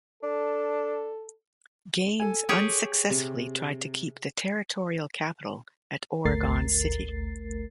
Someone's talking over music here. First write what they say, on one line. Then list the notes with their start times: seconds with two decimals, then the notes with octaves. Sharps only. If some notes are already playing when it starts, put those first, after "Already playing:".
Gaines unsuccessfully tried to keep the territorial capital at Oregon City.
0.23 D4 A4
2.20 A4 G#5
2.49 G4 G#4 C#5
3.10 C3
6.25 G#1 D2 A3 A#4 A6 C7